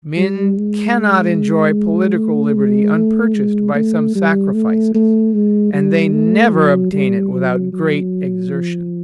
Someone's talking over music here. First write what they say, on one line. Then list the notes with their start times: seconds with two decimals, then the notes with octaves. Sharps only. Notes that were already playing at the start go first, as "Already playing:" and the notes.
Men cannot enjoy political liberty unpurchased by some sacrifices, and they never obtain it without great exertions.
0.17 G3
0.57 G#3
2.16 A3
2.56 G#3
2.95 A3
3.35 G#3
3.75 A3
4.15 G3
4.55 A3
4.94 A3
5.34 G#3
5.74 G3
6.13 A3
6.53 F#3
6.92 G3
7.33 F#3
7.72 F#3
8.51 F3